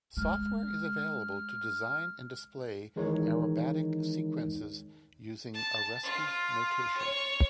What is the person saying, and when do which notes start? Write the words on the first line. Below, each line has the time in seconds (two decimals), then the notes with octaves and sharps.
Software is available to design and display aerobatic sequences using Aresti notation.
0.17 G#3 F6
2.96 D#3 E3 G#3 D#4 A#4 C#5
5.54 A5
6.04 F4
6.97 C#5